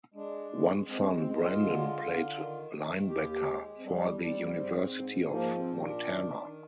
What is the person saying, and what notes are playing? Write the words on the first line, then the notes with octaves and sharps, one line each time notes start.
One son, Brandon, played linebacker for the University of Montana.
G#3 D4
G#3
G#3 C4
C4
G#3
F4
D3
D3
D#3
D#3
D#2 G4
G#3
C4
G3 D4
G3 D4
C4
A#3
C4
G#2
G#2
F3 A#3
C4
A#2
D4
D#3
D#3